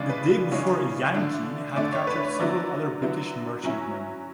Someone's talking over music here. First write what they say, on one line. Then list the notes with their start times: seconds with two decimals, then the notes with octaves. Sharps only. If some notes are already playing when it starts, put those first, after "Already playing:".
The day before "Yankee" had captured several other British merchantmen.
Already playing: C#3 E3 G#3 D4 D5
0.09 B4
0.52 C#3 E3 G#3 D4 C#5
1.15 D3 A3 D4
1.76 D3 A3 D4 D5
1.93 C#5
2.07 B4
2.23 C#5
2.39 D3 F#3 B3 E4 D5
3.01 D3 F#3 B3 E4
3.63 F#3 C#4 E4